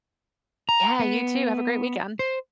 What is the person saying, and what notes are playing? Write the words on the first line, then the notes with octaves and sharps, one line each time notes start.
Yeah, you too. Have a great weekend.
A#5
B3
C5